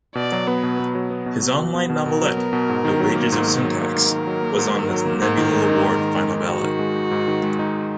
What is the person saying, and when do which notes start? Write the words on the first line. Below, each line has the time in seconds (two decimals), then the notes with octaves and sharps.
His online novelette "The Wages of Syntax" was on the Nebula Award final ballot.
0.15 B2 D5
0.32 F#3
0.48 B3 B4
0.63 B2
0.79 B2
0.95 F#3
1.10 B3
1.26 B2
1.43 B2
1.59 F#3
1.75 B3
1.90 B2
2.05 B2 A#4
2.21 F#3
2.37 B3
2.53 B2
2.69 G#2
2.85 D#3
3.00 F#3
3.16 A#3
3.32 G#2
3.48 D#3
3.64 F#3
3.79 A#3
3.95 G#2 A#4
4.11 D#3
4.27 F#3
4.42 A#3
4.59 G#2
4.74 D#3
4.90 F#3
5.05 A#3
5.21 G#2 A#4
5.37 D#3
5.54 G#3
5.69 D#4
5.85 G#2
6.01 D#3
6.16 G#3
6.32 D#4
6.48 G#2 F#4
6.64 D#3
6.79 G#3
6.95 D#4
7.11 G#2
7.28 D#3
7.43 G#3
7.59 D#4